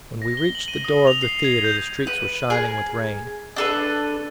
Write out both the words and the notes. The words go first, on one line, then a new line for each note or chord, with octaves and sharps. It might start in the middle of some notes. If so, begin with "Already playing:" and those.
When we reached the door of the theater, the streets were shining with rain.
A#6
G7
F#7
D#7
D#6
F7
C7
G#6
G6
B4
G#4 A#4
D4 A4 B4